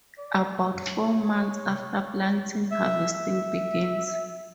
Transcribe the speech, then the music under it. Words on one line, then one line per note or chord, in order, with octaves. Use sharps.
About four months after planting, harvesting begins.
D5
C#5
E5
E5